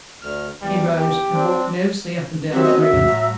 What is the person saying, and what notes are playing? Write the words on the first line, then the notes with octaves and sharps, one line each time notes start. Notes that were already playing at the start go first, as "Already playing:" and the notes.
He rose, and walked nervously up and down the room.
D2 F6
E2 G3
G4
C4 D4
F#3 A#3 C4 F#4 G4 E5
B3 C#4 D#5
E5
E2 G#2 C3
A2 A#5